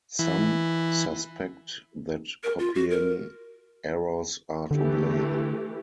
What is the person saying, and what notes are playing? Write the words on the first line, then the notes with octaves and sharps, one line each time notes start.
Some suspect that copying errors are to blame.
E3
A#4
F4
F#4
A#4
D3 E3 A3 G4